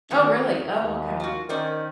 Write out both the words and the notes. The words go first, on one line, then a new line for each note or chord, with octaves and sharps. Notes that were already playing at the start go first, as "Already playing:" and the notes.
Oh, really? Oh, okay.
D#3 F#3 B3
D#2
F4 F#4
D#3 C#4 C5 D5